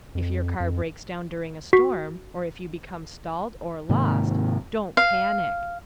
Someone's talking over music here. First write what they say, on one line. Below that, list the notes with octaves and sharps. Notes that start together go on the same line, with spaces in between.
If your car breaks down during a storm, or if you become stalled or lost, don't panic.
F2
F2
F#4 C#6 B6 C7
G#2 C3 D#3 A#3
F5